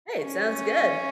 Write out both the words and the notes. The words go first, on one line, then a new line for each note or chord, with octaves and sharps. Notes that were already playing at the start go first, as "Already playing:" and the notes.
Hey, it sounds good.
C#4